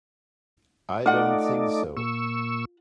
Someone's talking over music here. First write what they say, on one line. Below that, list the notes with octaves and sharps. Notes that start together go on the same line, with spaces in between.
I don't think so.
A3 D#4 F4 D5 F#5
A#2 C#6 E6